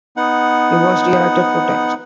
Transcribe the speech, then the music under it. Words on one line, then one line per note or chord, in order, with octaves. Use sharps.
He was re-elected four times.
B3 D#4 F#5